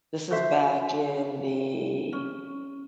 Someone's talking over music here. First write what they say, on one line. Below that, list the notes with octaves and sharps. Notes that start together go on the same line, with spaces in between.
this is back in the
F#4 A4 C5 E5
C#4